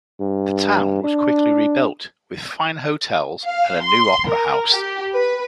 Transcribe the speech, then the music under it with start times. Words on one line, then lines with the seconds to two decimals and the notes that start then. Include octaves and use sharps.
The town was quickly rebuilt with fine hotels and a new opera house.
0.20 G2
1.04 D4
3.45 F5
3.84 C6
4.29 A#4
4.72 G4
5.15 B4